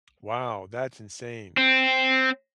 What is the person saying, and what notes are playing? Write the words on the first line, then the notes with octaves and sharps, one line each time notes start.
Wow, that's insane.
C4